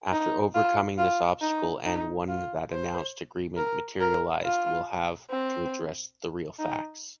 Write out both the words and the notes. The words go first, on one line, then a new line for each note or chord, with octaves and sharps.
After overcoming this obstacle and one the announced agreement materializes, will have to address the real facts.
D#4
F4
F4
D#4
D#4
F4
C5
A#4
A#4
F4
C4
D#4